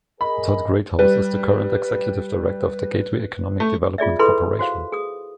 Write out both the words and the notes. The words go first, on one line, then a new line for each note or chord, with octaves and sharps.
Todd Greathouse is the current executive director of the Gateway Economic Development Corporation.
G#4 A#4 D#5 B5
G3 B4
A3
F4 G#4 D5 E5
E4 G#4 A4 B4 B5 C6
F#4 C5 F5
G#4 D#6